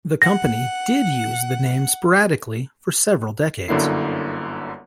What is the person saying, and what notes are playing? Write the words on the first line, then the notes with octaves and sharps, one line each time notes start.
The company did use the name sporadically for several decades.
F#5 A#6
G1 F#2 D3 A#3 E4 C7